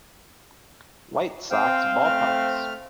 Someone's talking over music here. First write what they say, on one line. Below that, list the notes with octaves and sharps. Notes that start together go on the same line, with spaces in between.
White Sox Ballparks.
C4 C5 F5 G5
A3 F6